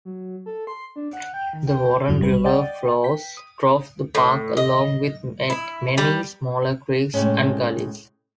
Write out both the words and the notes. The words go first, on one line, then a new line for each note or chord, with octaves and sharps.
The Warren River flows through the park along with many smaller creeks and gullies.
F#3
A4
C6
D4
F#5
G5
D#3
G5
E2 G2 F#3
A#1 G3 B4
D5 D#5 F#5 G5 A6
G5 B6
D#6
A2
D#5
E4
G3
A2 C3 G#3 C#4